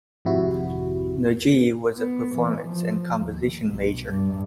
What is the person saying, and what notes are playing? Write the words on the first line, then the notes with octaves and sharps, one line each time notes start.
Najee was a performance and composition major.
G#1 F2 C3 E4 F#4
B3
E3
F3
D#2
B1
G2